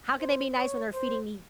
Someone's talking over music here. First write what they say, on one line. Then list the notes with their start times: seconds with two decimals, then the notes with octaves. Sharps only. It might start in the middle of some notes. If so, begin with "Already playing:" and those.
How can they be nice when they're feeding me
0.20 C5
0.57 C#5
0.93 C5